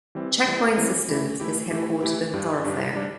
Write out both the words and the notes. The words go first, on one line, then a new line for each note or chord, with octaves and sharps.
Checkpoint Systems is headquartered in Thorofare.
E3 G3 C4
E3 G3 C4
E3 G3 C4
E3 A3 E4 G4
E3 A3 E4 G4
E3 A3 E4 G4
E3 A3 E4 G4
G2 G3 D4 G4
G2 G3 D4 G4
G3 D4 G4